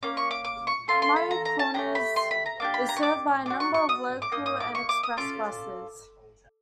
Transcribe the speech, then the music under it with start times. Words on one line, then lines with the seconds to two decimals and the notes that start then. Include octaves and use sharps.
Meiers Corners is served by a number of local and express buses.
0.03 A#3 C#4 D6
0.17 C#6
0.31 D6
0.45 D6
0.67 C#6
0.88 C#4 F4 A4 C6
1.02 C6
1.16 B5
1.31 A#5
1.45 A#5
1.59 A5
1.74 A3 D4 G4 A#5
1.95 B5
2.16 C6
2.31 B5
2.46 A#5
2.60 A#3 D4 G4 D6
2.74 B5
2.89 A#5
2.97 C#6
3.03 D6
3.46 B3 D4 F#4 D6
3.60 C#6
3.74 C#6
3.89 D#6
4.22 D6
4.32 A#3 D#4 D#6
4.46 D#6
4.60 D6
4.75 C#6
4.89 D6
5.03 D#6
5.17 C#4 F4 A4 D6